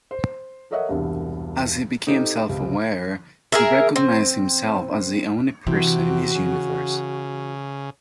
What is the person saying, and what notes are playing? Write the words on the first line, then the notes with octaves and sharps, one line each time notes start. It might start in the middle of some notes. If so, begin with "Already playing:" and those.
As he became self-aware, he recognized himself as the only person in his Universe.
C5
A4 A#4 C#5 D#5 E5 F#5
E1 C2 G2
C4 D#4 G4 A4 D7
C#2 C3
G#4 A#4 E5
C4
C3 E3 F#4
C#3